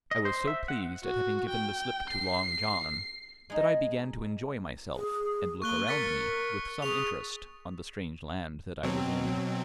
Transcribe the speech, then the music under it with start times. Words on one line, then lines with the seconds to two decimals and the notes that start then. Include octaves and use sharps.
I WAS so pleased at having given the slip to Long John that I began to enjoy myself and look around me with some interest on the strange land that I was in.
0.11 D#5
0.25 C5
0.47 E5
0.68 F#5
1.03 F#4
1.50 G5
2.10 C7
3.50 G#3 D#4
4.95 G#4
5.62 A#3 C#6 F#6 G7
5.88 A#4 A6 B6 C#7
6.82 G#4 C#6 F7
8.83 B2 F#3 C4